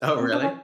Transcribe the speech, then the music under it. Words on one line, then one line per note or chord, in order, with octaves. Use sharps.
Oh, really?
C4
D4
C#4